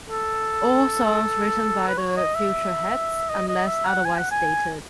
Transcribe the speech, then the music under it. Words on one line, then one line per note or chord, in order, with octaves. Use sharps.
All songs written by The Futureheads, unless otherwise stated.
A4
B4
C#5
D#5
E5
D#5
D#5
E5
F#5
G#5
F#5
G#5